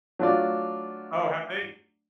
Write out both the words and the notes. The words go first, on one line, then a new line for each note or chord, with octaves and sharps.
Oh, have they
F#3 A3 D4 F4 D5